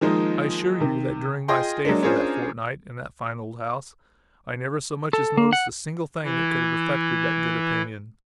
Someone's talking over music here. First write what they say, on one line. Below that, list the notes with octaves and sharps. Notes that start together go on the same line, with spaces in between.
I assure you that during my stay for that fortnight in that fine old house, I never so much as noticed a single thing that could have affected that good opinion.
D#3 F3 G#3 A#3 D#4
C3 D#3
F4 G#4 D#5 G5 C6
F#3 G#3 A#3 D4
C#4 D4 F4 G#4 A#4 C5
A4
A#3
F#5
E3 E4